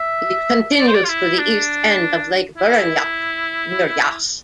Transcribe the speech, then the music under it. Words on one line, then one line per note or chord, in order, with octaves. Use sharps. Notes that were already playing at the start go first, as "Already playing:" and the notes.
It continues to the east end of Lake Burrunjuck near Yass.
Already playing: E5
D5
C5
D5
F4
E4
D4
E4